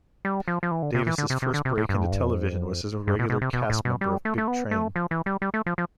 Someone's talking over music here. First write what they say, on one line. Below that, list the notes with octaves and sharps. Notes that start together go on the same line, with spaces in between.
Davis's first break into television was as a regular cast member of "Big Train".
G3
F3
F3
E3
D3
C3
E3
D3
C3
C3
D3
C3
A2
G2
F2
G2
F2
G2
B2
B2
C3
B2
A2
B2
G3
A3
A3
B3
A3
F3
E3
G3
G3
A3
F3
F3